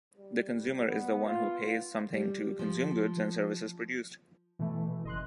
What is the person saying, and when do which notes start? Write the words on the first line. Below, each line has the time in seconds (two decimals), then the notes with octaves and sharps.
The "consumer" is the one who pays something to consume goods and services produced.
0.17 G3
0.86 B3
1.26 F4
2.14 G3
2.59 F3
4.59 B2 E3 A3
5.05 F#1 D#5 C6 F#6